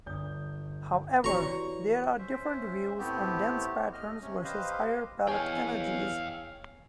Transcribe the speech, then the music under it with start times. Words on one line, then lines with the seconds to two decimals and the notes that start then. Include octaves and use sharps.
However, there are different views on dense patterns versus higher pellet energies.
0.06 G1 D5 D#6 G6
1.24 E3 F#4 C#5 D5 A#5 C#6
1.46 G4
2.18 C#4 C5 E5
2.98 A2 A3 B3 C4 G4
3.93 D#2 D#5 F6
4.22 C3 C#4
4.44 G4 B4 C5 D#5 F5
5.28 E2 C#5 F5 G5 G#5